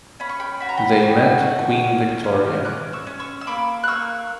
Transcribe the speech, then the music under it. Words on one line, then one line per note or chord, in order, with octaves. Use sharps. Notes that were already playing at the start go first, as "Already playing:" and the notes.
They met Queen Victoria.
C#4 B5
C#6
G5 B5
F#4 B5
A#5
G5 B5
F#4
F#4
C#4
C#4
C#4 D6 F#6
C#6 E6
C#4
C#6 E6
E6
A#3 B5 D6
F#6
A#3 C#6 E6